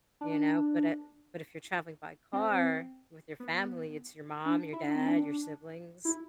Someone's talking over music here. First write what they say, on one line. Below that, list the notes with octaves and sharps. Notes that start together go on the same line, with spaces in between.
you know, but it but if you're traveling by car with your family, it's your mom, your dad, your siblings,
D4
C4
B3
D4
E4
D4
C4
D4
E4